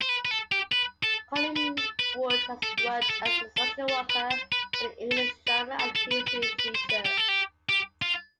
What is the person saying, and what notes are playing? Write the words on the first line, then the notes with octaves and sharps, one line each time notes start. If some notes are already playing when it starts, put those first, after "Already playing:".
Collingwood has worked as a social worker and an English, drama and history teacher.
C5
B4
B4
A4
G4
B4
A4
B4
B4
A4
B4
B4
A4
G4
B4
A4
F4
A4
A4
B4
C5
B4
B4
A4
B4
B4
A4
A4
B4
B4
A4
B4
C5
B4
G4
A4
G4
G4
F4